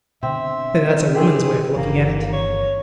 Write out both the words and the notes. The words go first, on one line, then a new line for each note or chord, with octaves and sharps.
"That's a woman's way of looking at it!"
B2 D3 C4 E5
G2 C4 G4 G#4
G1 D#3 E3 A#3
C#5